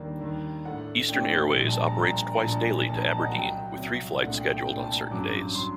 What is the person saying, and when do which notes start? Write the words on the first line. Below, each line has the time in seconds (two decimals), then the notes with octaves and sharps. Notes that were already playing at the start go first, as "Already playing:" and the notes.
Eastern Airways operates twice daily to Aberdeen with three flights scheduled on certain days.
Already playing: D#2 D#3 G3 A#3 D4
0.20 D#2 D#3 G3 A#3 D4
0.65 A2 A3 D4 F#5
1.09 A2 A3 D4 G5
1.54 A#1 A#2 G3
1.68 A5
1.83 A#5
1.98 A#1 A#2 G3 A#5
2.33 A#5
2.43 A#1 A#2 G3 D4 A5
2.88 A#1 A#2 G3 D4 A5
2.97 A#5
3.05 A5
3.17 D#5
3.25 F#5
3.32 C2 C3 F#3 G5
3.76 C2 C3 F#3
4.21 C2 A#2 A3 D4 F#5
4.36 G5
4.52 G5
4.65 C2 A#2 A3 D4 G5
4.81 A5
4.95 A#5
5.10 A1 G2 F#3 D6
5.55 F#3 C6